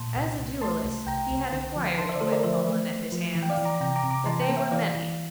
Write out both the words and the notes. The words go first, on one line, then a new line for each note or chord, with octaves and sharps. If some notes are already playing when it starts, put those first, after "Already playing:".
As a duellist he had acquired who had fallen at his hands; but they were many.
Already playing: A#2 A5 C6
C2
C2
A3 A5 C6
C2
C2 G5 A#5
C2
D3
F3
D3 A5 C6
C5 E5
D5
A3 A4 C5
A#4 D5
F3 C5 E5
A3
A3
F3
E3
G5
D5 F5
E3
A#5 D6
C3 G5 A#5
A#5 D6
C3
A#5 D6
E3 A5 C6
G5 A#5
A#3
E5 G5
E3 D5 F5
E3